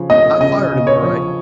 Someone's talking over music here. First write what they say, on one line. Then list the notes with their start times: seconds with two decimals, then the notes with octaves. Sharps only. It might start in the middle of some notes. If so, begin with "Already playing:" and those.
I fired him, all right.
Already playing: C#3 F3
0.10 A3 D#5
0.40 C#3 D#5
0.72 C#3
0.87 C#5
1.03 F3